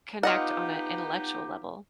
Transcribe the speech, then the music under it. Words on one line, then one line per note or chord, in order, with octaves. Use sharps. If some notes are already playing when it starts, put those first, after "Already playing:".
connect on a intellectual level.
B3 D#4 F4 G4 D#5 F#5